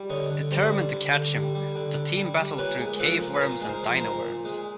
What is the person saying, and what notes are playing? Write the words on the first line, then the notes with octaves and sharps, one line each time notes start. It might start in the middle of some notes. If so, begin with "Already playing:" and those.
Determined to catch him, the team battle through caveworms and dinoworms.
Already playing: G3
D3 C#5 D#5
D3
G3 C5 D5
G3
D3
D3
G3
G3
D3
D3
G3
G3
A#2 B4 C#5
G#3
F3 A4 B4
A#2
B4
A#2 A#4 C5
G#3
A#4 C5
F3
A#4 C5
A#2
A#2
G#3